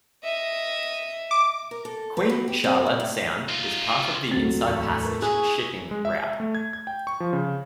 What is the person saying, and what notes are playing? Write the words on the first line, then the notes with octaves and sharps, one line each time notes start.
Queen Charlotte Sound is part of the Inside Passage shipping route.
D#5 E5
D6
A#4
A4
B4
F#3
G4
C4
A#2
A2
D#4 F4
D2 F#3 C4 A6
E2 A2 A3 C#6
A#4
E4 G#4 F#6
G#3
E5
E5
A3
G#6
G#6
G5
C#6
F3
C#3